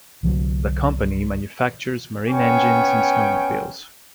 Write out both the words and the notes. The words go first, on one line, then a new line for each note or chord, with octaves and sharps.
The company manufactures marine engines and snowmobiles.
C2 D3 F3 F#3
B3 C#4 G5 G#5 C#6